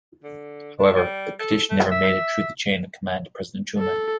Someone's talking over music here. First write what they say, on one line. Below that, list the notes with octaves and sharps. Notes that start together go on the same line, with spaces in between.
However, the petition never made it through the chain of command to President Truman.
D3
D4
G3
A4
A3
E5
A4